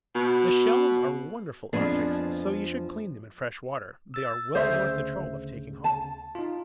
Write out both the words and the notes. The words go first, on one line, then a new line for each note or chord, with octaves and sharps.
The shells are wonderful objects, so you should clean them in fresh water; they are well worth the trouble of taking home.
B2
F2 F3 B3 D4 G#4
E6 A6
D2 C#3 C5 E5
A5
D#4 F4